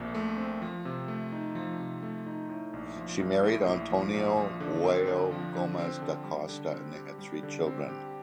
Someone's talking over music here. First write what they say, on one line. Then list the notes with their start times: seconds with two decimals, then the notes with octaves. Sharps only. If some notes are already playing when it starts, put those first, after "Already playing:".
She married Antonio Joao Gomes da Costa and they had three children.
Already playing: A#1 A#2 A3 C4
0.15 A3
0.38 C4
0.62 F3
0.85 C3
1.08 A3
1.32 D#4
1.55 F3
1.79 C3
2.03 A3
2.26 D#4
2.49 A2
2.73 A#1
2.96 F3
3.19 A#1
3.43 A2
3.66 A#1
3.90 F3
4.14 A#1
4.37 F3
4.60 D3
4.84 C4
5.07 D3
5.31 F3
5.55 D3
5.78 C4
6.02 D3
6.24 G3
6.49 D3
6.72 C4
6.95 G4
7.19 G3
7.43 D3
7.66 C4
7.89 G4